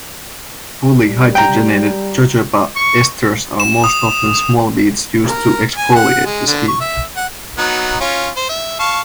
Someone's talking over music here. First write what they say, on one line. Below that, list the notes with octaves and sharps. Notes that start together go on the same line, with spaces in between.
Fully hydrogenated jojoba esters are most often small beads used to exfoliate the skin.
G3
G5 A#5
C#6
E7
D#6
A#4
G#5
F#5
G#3
D3
C#6
E5
F#5
F#3 B3 D#4
C#4 F4
C5
E5
F5 A5 C#6